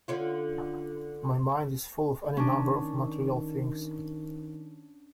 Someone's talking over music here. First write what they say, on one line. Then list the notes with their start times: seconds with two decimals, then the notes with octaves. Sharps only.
My mind is full of any number of material things.
0.08 D3 C#4 F4
2.37 D#3 C#4 D4